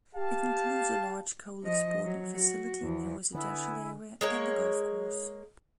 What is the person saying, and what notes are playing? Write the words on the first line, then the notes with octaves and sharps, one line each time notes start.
It includes a large coal exporting facility, a residential area, and a golf course.
G4 F5 A5
F3 D#5
F#3
F#4
E2 F3
D3 B3 E4 G#5
G#3 A#3 C#5